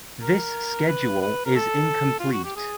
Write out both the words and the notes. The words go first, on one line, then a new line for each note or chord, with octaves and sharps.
This schedule is incomplete.
A#4
B4
B4
A#4
A4
F4
F#4
G4
G#4